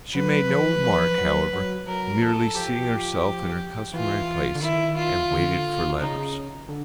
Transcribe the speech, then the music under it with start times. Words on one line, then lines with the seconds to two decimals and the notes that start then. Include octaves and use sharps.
She made no remark, however, merely seating herself in her customary place and waited for letters.
0.15 F#3 B4
0.49 F3
0.83 F3
1.18 F#3
1.53 F#3
1.87 F#3 A#4
2.21 F3 A4
2.56 F3 G4
3.94 E3 F4
4.55 D3
4.62 D#3 E4
4.97 F4
5.31 D3
6.00 C#3 D#4
6.69 D3